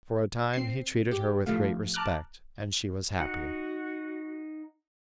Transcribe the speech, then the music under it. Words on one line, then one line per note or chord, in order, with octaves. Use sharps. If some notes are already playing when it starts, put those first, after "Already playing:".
For a time he treated her with great respect, and she was happy.
C4 C7
G4
A2 F3 G3 A3 F5
A5 A#5 D6 F6 F#6
D#4 F#4 F#5